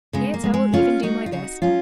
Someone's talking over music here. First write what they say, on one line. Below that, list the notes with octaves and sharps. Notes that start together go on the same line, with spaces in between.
"Yet I will even do my best."
C#3 G#3 B3
A#3
G#3
G#3
C#3 C#4 F4
G#3 D#4 F#4
F4
C#3 D#4 F#4
F#3 C#4 F4